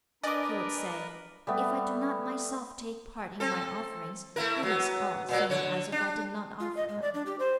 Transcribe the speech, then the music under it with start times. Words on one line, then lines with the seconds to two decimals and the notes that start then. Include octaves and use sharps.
He would say, "If I do not myself take part in my offerings, it is all the same as if I did not offer them."
0.23 D4 A#4 B4 D5 D#5 G#5 D6
1.47 G3 A3 B3
3.40 C4 A4
4.36 A3 E4 A#4
4.63 F#3 B3
5.29 A#2 F#3 A#3
5.50 D3 C#5
5.92 D4
6.60 F4
6.77 D#5
6.89 G#3
7.02 D5
7.14 D4
7.26 G4
7.39 C5